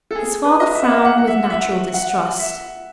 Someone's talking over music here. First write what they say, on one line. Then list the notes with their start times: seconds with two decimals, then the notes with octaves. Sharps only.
His father frowned with natural distrust.
0.11 A4
0.15 G#4
0.44 B4
0.60 D#5
0.75 E5
0.83 F#5
0.89 E5
1.05 F#5
1.18 F#5
1.27 E5
1.44 F#5
1.50 E5
1.94 F#5
2.39 E5